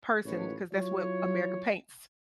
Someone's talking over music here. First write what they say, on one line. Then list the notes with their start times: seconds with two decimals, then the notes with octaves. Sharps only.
person 'cause that's what America paints
0.25 A1 G#2 D#3 F3 B4 C#5
0.73 F#3 E4 F4 C#5